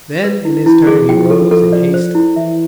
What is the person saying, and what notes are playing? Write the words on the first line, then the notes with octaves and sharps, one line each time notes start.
Then in his turn he rose, and hastily.
B4
E4
E3 E4
G#4
F3 G5
A4
A4
D5
C5
E4
E3 E5